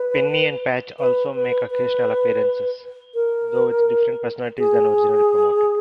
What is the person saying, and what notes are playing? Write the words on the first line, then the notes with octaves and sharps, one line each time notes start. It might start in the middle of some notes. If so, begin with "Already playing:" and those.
Penny and Patch also make occasional appearances, though with different personalities than originally promoted.
Already playing: B4
B4
B4
B4
A#4
G#4